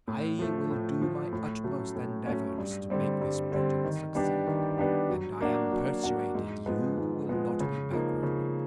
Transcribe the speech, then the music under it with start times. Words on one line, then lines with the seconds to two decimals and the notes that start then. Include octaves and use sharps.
I will do my utmost endeavours to make this project succeed, and I am persuaded you will not be backward.
0.08 A2
0.39 F3 A3
0.70 A2
1.01 F3 A3
1.33 A2
1.64 F#3 A3 C#4
1.96 A2
2.27 F#3 A3 C#4
2.58 G2
2.90 D3 G3 C4
3.21 G2
3.52 D3 G3 C4
3.84 D#3
4.15 G3 B3 D4 G4
4.47 D#3
4.78 G3 B3 D4 G4
5.09 F#3
5.41 A#3 D4 F#4
5.71 F#3
6.03 A#3 D4 F#4
6.35 G#2
6.66 F3 G#3 B3
6.98 G#2
7.29 F3 G#3 B3
7.60 C#3
7.91 F3 A#3 D#4
8.23 C#3